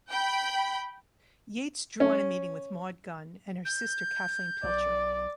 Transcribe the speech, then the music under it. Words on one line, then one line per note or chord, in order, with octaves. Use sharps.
Yeats drew on a meeting with Maud Gonne and her sister Kathleen Pilcher.
G5 B5
C#4
G6
B1 D5